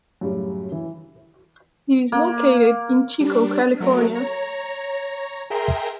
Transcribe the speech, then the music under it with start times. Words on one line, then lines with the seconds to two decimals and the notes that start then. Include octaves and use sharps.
It is located in Chico, California.
0.21 F#2 A2 C#3 G3
0.72 E3
2.12 A#3
3.21 G3 D4
3.80 F#3 A3 A#4
4.14 C#5 A#5
5.50 G#4 A#4 E5 G5 A#5 C6